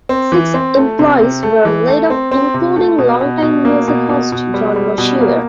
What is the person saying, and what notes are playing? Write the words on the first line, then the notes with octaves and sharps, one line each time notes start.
Six employees were laid off including long-time music host Jon Moshier.
C4
E3
C4
A3
C3
C3
A3
E3
A3
C4
C4
C3
A3
B2
B2
B2
A#3
B2
B2
B2
G3
G3
B2
A#3